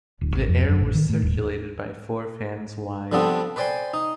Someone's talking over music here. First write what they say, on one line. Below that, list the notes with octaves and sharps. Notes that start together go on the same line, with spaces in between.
The air was circulated by four fans wide.
D1
G#1
F2
F#2
A1
D#3
A2
D#1
D3 F3 G3 B3 C4 D4
B4 C5 D5 G5 G#5 C6
D#4